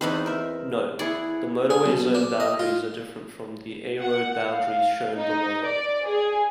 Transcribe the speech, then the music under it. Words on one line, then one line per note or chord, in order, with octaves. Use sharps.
Note: The motorway zone boundaries are different from the A-road boundaries shown below.
E2 B3 C4 D#4 F5 B5
A#4 E5
E4 G#4 D5 F#5
G#4
B1
D4
D#5
F4
F#5
F5
D#4
D5
G#4